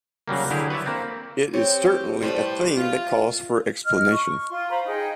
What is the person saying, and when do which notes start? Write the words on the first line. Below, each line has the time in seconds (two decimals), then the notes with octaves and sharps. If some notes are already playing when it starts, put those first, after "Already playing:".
It is certainly a thing that calls for explanation.
0.28 C#3 F#3 G3 A#3
0.50 D3 F#3 E4 G4 G#4
0.70 B4 C#5 D5 E5
0.86 A#3 C4
1.54 C4 C#4 G4
2.23 A2 G3 A3 B4 C5
2.76 F4
3.85 D#5 F6
4.11 C#6
4.49 F4 C6
4.70 C5 F5 A#5 B5
4.86 D#4 G#4 D#5 G5